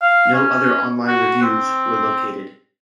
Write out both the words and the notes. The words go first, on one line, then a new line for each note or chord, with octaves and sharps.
No other online reviews were located.
F5
C#4
F#4
C4